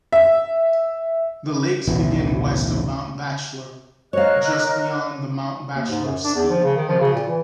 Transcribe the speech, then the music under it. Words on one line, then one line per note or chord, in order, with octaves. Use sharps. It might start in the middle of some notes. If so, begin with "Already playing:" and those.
The lakes begin west of Mount Bachelor, just beyond the Mount Bachelor ski area.
E5
A1 D2 B2 E3
A#4 C#5 D#5 F5 F#6
D#2
G#2
F#2
D4
E2
F3
C#3
D#3
F3
C#3
A#2
E3